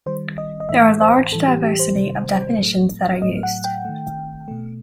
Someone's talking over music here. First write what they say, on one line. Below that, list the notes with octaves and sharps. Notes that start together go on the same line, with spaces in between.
There are large diversity of definitions that are used.
D#3 G3 C5
D#5
D#5
A2 E3 A3 E5
C5
A2 E3 G3 A4
G4
G4
C5
C3 D#3 G3
A2 F#3 A3
A2 F#3 A3 D#5
F#5
G5
D#3 A3
B2 A3